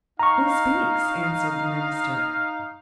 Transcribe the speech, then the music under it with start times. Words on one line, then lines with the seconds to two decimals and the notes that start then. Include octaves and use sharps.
"Who speaks?" answered the minister.
0.19 D#4 F5 A#5 C#6